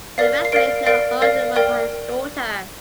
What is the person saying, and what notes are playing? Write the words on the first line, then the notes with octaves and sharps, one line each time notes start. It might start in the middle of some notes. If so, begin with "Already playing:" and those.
The restaurant is now owned and run by his daughter.
A#4 D5 F5 C7
C7
A#4 D5 F5 D7
A#4 D5 F5 D7
A#4 D5 F5
A#4 D5 G5